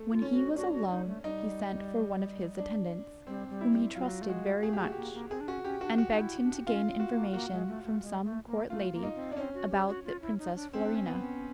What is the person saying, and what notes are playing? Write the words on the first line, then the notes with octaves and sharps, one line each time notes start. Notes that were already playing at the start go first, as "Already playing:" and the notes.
When he was alone, he sent for one of his attendants, whom he trusted very much, and begged him to gain information from some court lady about the princess Florina.
Already playing: A3
F4
C#4
F#4
D4 F#4
F#4
D#4
A3
G3 D#4
D4
G3 C4
G3
E4
G3
F#3 F4
A3
G#3 F#4
A3 G#4
G4
A3 F#4
A#3 G4
A#3
C4 G#4
D4
C#4 F#4
C#4 G4
D4 F#4
F#4
D#4
E4
D4
C#4 F4
C4
F#4
A#3
A#3 F#4
G#3
A3
A3
G#3
A3
A#3
A3 F4
A#3
D#4
C4
D4
C4 C#4
F#4
G4
F#4
F4
E4
D#4
D4
C4 C#4
D4
C#4
B3
C#4